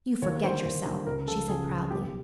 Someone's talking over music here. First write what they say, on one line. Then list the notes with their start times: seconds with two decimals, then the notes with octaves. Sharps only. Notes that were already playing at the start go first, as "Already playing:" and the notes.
"You forget yourself," she said proudly.
0.22 D#2 C#5
0.43 D3 G3 C5
0.65 D#2
0.86 D3 G3
1.06 C#2 A#4
1.28 C#3 F3 A4
1.48 C#2 G#4
1.69 C#3 F3
1.90 B1 G4